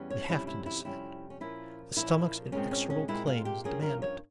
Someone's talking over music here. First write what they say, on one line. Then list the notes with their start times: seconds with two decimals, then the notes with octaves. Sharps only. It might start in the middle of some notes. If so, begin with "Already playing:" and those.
We have to descend; the stomach's inexorable claims demand it.
Already playing: E2 E3 G3 C#4
0.10 C#5
0.29 F2 C3 G3 C#4 E4
0.47 E4
0.66 E4
0.85 F2 C3 G3 C#4 E4
1.30 C#4
1.40 A#2 F3 A#3 C#4 E4
1.96 A#2 F3 A#3 C#4 E4
2.52 A#2 G#3 C4 C#4
2.71 C#4
2.90 C#4
3.08 A#2 G#3 C4 E4
3.27 F4
3.45 G4
3.64 G2 F3 A#3 C#4 G#4
3.82 A#4
4.02 C#5